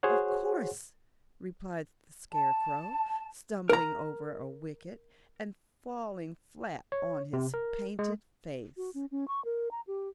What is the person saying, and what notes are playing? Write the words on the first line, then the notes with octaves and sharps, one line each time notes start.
"Of course," replied the Scarecrow, stumbling over a wicket and falling flat on his painted face.
F#4 G#4 C5 C#5 F#5
A5
A#4 A#5
C#5
C3
A#4
G#3
F#4
C#4
C#4
C#6
A#4
A#5
G4